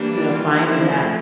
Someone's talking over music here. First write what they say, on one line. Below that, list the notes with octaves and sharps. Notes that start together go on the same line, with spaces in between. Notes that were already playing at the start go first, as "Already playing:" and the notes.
you know, finding that
Already playing: E3 G3 A#3 D4
F4
F3 A3 C4 E4